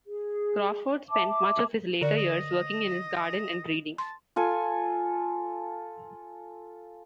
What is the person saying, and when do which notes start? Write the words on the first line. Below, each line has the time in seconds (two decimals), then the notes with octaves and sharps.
Crawford spent much of his later years working in his garden and reading.
0.08 G#4
1.10 E5 A5 D6
2.01 D3 F#4 D5
2.17 D#5
3.98 A5 C6
4.36 F4 A4 G#5